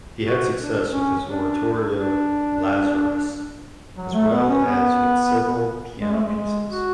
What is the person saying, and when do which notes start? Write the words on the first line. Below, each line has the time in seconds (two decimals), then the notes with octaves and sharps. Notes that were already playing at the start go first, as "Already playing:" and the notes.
He had success with his oratorio "Lazarus" as well as with several piano pieces.
0.24 F#4
0.58 D4
0.91 C#4
1.26 D4
1.93 D4
3.97 F#3
4.14 A3
4.32 B3
4.49 C#4
4.65 B3
6.01 G#3
6.12 A3
6.23 G#3
6.35 G#3
6.69 F#4